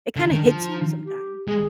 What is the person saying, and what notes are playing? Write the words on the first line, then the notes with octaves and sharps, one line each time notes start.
it kinda hits you sometimes.
D3 D4
D#4
D#3 D4
F3
F4
D#4
D4
D#4
G4
G#3 G#4